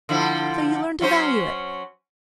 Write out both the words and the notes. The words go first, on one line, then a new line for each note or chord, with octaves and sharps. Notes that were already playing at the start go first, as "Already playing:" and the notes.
So you learn to value it.
D3 F3 E4
F#3 C#4 C5